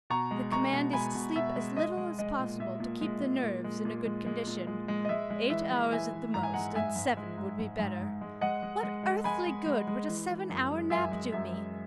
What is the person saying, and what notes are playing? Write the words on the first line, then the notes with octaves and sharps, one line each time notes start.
The command is to sleep as little as possible to keep the nerves in a good condition--"eight hours at the most, and seven would be better." What earthly good would a seven-hour nap do me?
B2 A#5 C#6
G#3
G#3 A#5 C#6
B2
G#3 G#5 B5
B2
B2 E5
G#3
G#3 D#5
G#3
G#3 D#5
A#2
A#2 E5
A#2
G#3
G#3
A#2
G#3
A#2
G#3
G#3
A#2
G#3
G#3
D#5
G#3 E5
G#3
E3 E5
G#3
E3 E5 G#5
E3
G#2 A#5
G#5
G#3 F#5 A#5
G#2 E5 G#5
G#2
G#3
G#2
G#2
G#2
G#2
G#3
G#3 D#5 F#5
G#3
G#3
G#3
G#3 G#5 B5
G#3
G#3
G#3
E3
E3
F#2
G#3
F#2 E5 G#5
G#3
F#2 E5
G#3